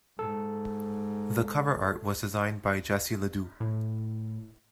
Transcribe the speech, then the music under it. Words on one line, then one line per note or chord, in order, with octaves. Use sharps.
The cover art was designed by Jesse LeDoux.
G#2 A4
A2